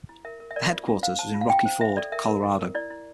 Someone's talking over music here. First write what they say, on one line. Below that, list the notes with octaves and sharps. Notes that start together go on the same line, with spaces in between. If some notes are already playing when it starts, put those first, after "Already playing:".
The headquarters was in Rocky Ford, Colorado.
E4
A#4 E5
A#4
E5
A#4 D5
F4
F4
C5 F5
C5 A5
F4
F5
F4 G5
C5
F4 E5
A4 D5
A#4 E5
A#4
E4
A#4
E4 D5
E4